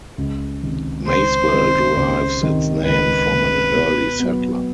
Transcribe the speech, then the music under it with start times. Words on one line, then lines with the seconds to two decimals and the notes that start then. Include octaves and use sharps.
Maysville derives its name from an early settler.
0.18 C#2
0.63 C3 D#3
1.07 C#2 C5
1.52 C3 D#3
1.96 C#2
2.41 C3 D#3
2.86 C#2 B4
3.30 C3 D#3
3.75 B2
4.20 F#3 B3